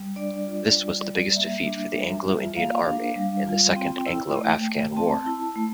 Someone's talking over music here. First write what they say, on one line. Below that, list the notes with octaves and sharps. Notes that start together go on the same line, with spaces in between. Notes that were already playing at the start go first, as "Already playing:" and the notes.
This was the biggest defeat for the Anglo-Indian army in the second Anglo-Afghan war.
Already playing: G3
D4 D5
F4
G3
G3
A#3 E5
D4
G3
F4
A#3 F5
D4
G3
F4
C4 G5
E4
A3
A3
C4 A5
E4
A3